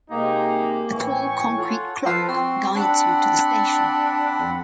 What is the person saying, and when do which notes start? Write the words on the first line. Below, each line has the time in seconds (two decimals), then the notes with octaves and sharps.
A tall concrete clock guides you to the station.
0.11 C3 G#3 A#3 D#4 G4
0.91 A2 E3 E4 G5 G#5 C#6
1.57 F4 A4 C#5 F#5
2.06 F3 A4 B4 C5
2.28 C4 F#4 C6
2.76 C4 D4 F#5 B5
4.39 F2